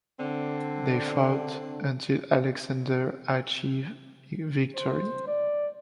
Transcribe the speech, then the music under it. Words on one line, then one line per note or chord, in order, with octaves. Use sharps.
They fought until Alexander achieved victory.
D3 C4
C5
D5